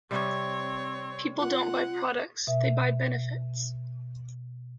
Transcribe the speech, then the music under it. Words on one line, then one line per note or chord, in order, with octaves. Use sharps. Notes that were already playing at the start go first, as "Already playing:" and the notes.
People don't buy products, they buy benefits.
C3 G3 C4 C#5
F4 F#5
B2 E5